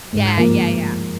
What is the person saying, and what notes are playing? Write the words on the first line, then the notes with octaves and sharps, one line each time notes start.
Yeah, yeah, yeah.
G#2
F3 A#3